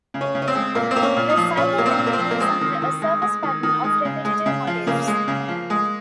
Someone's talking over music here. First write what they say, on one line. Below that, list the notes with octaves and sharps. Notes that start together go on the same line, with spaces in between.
The cycle then repeats under a surface pattern of repetitive motifs.
C#3
C#4
C#3
C#4
C4
G#3
A#2 A#3
C4
A#3
C#4
A#2
D#4
F3
A#2 C#4
A#3
C4
A#2
A#3
C4
F3
A#3
G#3 C4
D#3
D#3
G#3
G#3
D#3
D#3
G#3
C#3
G#3
C#3
F3
C#3 A#3
G#3
C#3
F3
G#3